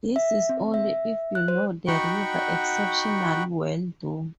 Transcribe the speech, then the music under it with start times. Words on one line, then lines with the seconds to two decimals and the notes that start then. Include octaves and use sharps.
This is only if you know the river exceptionally well though.
0.16 E5
0.49 C4
0.74 E5
1.35 F#6
1.48 C5
1.88 D#4 F#4 F#5 G5 B5 C#6